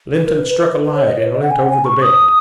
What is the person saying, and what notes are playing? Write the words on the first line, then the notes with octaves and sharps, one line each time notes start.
Lynton struck a light and leant over the bed.
B4
A#4
B4
B4
B4
B4
B4
C#5
D#5
C#5
B4
D#5
F#5
G#5
F#5
G#5
C#6
D#6